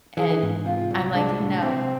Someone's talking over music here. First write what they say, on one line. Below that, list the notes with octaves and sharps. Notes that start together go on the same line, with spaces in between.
And, I'm like, "No.
E3 G#4
G#2
C3 F4
C2
G#3 D4
A2
C3 C4